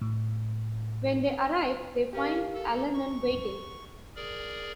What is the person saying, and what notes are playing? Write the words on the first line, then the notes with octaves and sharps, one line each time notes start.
When they arrive, they find Allanon waiting.
A2
C#4 G4 A#4 F5
A4
D#2 C#6
G#4 A#4 D5